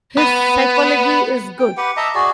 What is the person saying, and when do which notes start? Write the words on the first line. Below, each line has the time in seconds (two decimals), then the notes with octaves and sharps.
His psychology is good.
0.17 B3
1.59 G5
1.77 G4 B4 F#5
1.97 D#5 E5 A5 A#5
2.15 F#4 G#4 D5